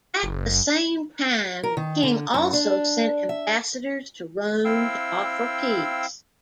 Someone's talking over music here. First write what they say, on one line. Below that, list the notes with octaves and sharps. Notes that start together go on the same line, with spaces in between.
At the same time, the king also sent ambassadors to Rome to offer peace.
F#1
A#4
D#3
D3
F#2
D4
E5
C4 E4 F5 G5 E6